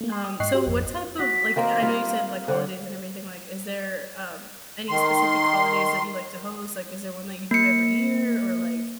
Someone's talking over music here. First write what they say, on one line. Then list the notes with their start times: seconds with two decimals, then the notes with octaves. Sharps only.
Um, so what type of, like I know you said, like, holidays and everything, like, is there, um, any specific holidays that you like to host? Like, is there one that you do every year, or like,
0.01 A3 A#3
0.12 C6
0.24 G5 D#6
0.40 G#2 D#5 G5 C#6 F#6 C7
0.54 F#4 G4 C6
0.67 G#1 F2
1.19 F#4 B6
1.56 D#3 A#3 C4 F5
1.82 G3 F4
2.48 D3 C5
4.89 D#3 C6
7.51 A#3 C#7